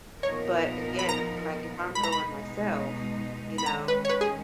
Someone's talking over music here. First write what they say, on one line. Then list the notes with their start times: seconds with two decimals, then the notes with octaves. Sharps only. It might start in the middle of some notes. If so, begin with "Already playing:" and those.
but, again, like, if I'm going myself, you know,
0.23 A#2 F3 B3 D#4 A#4 C#5
0.99 B5
1.09 A#5
1.95 B2 G#3 D#4 B5
2.03 A#5
2.12 B5
3.58 B5
3.66 D#3 G#3 C#4 A#5
3.88 B4
4.05 C#5
4.09 B4
4.21 G#4